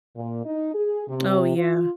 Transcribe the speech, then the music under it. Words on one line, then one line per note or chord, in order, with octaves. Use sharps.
Oh, yeah.
A#2
D#4
G#4
C3
F4